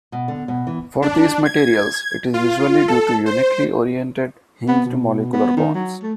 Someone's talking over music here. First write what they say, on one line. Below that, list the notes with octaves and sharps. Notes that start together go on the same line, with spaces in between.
For these materials, it is usually due to uniquely oriented, hinged molecular bonds.
B2
D3
B2
E3
D4
G#6
F4
A4
C5
B3
B2
B3
D#3
F#3
A3